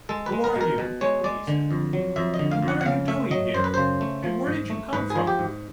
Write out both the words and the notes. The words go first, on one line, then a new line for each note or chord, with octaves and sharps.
"Who are you?" he said, "and what are you doing here, and where did you come from?"
G#3 A4
B4
G#3
A#4
B2 A#4
B2
G#3 C#5
G#3 D5
D3
F2
F#3
F2 E5
D#5
D3
F5
F2
F#5
F#5
C#3 F5
A3 E5
F#3 D#5
F#2 C5
B4
C#3 C5
A3
F3
G#2
A3
G#2 B4
G#4
F3
G4
G#2